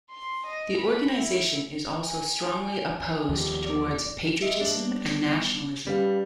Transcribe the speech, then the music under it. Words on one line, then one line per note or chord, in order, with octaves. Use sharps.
The organisation is also strongly opposed towards patriotism and nationalism.
C6
D#5
B5
E4
G#5
D#2 D#3 F3 G3
D5
G4 D#5 E5
D4 F#7
G3 B3
G3 C#4 B4 F5